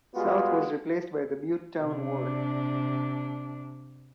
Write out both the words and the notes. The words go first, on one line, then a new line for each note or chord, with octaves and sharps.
South was replaced by the Butetown ward.
G3 G#3 B3 F4 F#4
C3 D4